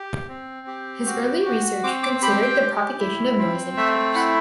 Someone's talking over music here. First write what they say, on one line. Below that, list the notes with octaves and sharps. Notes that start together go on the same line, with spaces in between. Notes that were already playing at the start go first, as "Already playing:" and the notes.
His early research considered the propagation of noise in pipes.
Already playing: G4
C4
G4
F#4
F#4
C4 D6
D6
G4 B5
G5
G4
E4
C4
A3 E5
E4 F#5